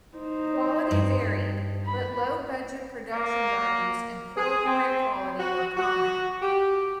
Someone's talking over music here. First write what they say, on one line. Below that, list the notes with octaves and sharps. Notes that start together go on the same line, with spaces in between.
Quality varied, but low budget production values and poor print quality were common.
D#4 C5
G2
B5
A#3
G#4
C4
F#4
F#4
G4